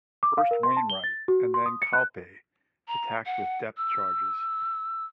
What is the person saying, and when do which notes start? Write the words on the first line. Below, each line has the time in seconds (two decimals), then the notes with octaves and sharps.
First "Wainwright" and then "Calpe" attacked with depth charges.
0.23 D6
0.38 F5
0.51 A#4
0.63 C6
0.77 A5
0.90 G7
1.04 A6
1.28 F#4
1.54 C6
1.66 D#6
1.82 C#7
1.93 F#6
2.88 A#5
3.26 F#5
3.77 E6